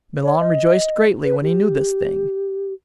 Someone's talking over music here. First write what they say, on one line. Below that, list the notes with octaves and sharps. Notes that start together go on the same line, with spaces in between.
Milon rejoiced greatly when he knew this thing.
C#5
D#5
B4
G4